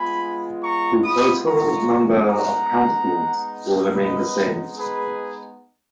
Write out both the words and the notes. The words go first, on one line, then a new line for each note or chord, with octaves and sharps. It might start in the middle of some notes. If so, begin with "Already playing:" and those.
The total number of councillors will remain the same.
Already playing: G#3 B3 F4 G#5 B5
A#5 C#6
B5 D#6
A#5 C#6
G#3 B3 D#4 F#5 A#5
B4 D#5
G#4 B4